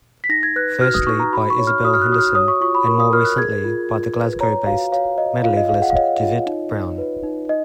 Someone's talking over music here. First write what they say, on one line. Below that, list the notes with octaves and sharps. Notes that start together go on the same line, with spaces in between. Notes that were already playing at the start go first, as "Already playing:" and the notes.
Firstly by Isabel Henderson, and more recently by the Glasgow-based medievalist Dauvit Broun.
B6
D#4 A#6
G#6
B4 F#6
F#4 F6
D#6
D#4 C#6
A#5
F#4 B5
C#6
C#5
F6
F#4 D#6
F6
F#6
F#4 D#6
F6
C#5 D#6
C#6
F4 C#6
B5
A#4 C#6
D#6
A#4 F6
F#6
G#4 G#6
F4
F4
B4
C#5 A#5
F#4 F5
C#5 F5
C#5 D#5
F4 F5
D#5
G#4 F5
F#5
F5
C#5 D#5
F4
D#4
D#4
B4
D#4
D#4 D#5